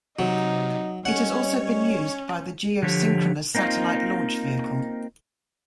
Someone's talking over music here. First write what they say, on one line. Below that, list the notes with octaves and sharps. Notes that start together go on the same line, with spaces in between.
It has also been used by the Geosynchronous Satellite Launch Vehicle.
C3 F#3 D#4
G3 C#4 C#5 D#5 F#5
C#4
D3 F3 G4 C#5
A#3 C4 D#4 F4